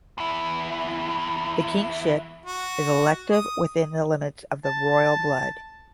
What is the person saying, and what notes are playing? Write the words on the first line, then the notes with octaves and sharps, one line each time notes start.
The kingship is elective within the limits of the royal blood.
E2 E4
F#4
D#6
A5